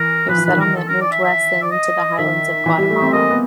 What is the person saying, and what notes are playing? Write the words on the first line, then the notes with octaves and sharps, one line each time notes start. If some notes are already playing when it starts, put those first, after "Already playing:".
Their settlement moved west and into the highlands of Guatemala.
Already playing: E3 A#4
F3 B4
E3
D#3 B4
E3 A#4
A4
A#4
D5
E5
E5
D5
D#5
D#3 E5
E3
G3
A3
C4
A#3 D#5
B3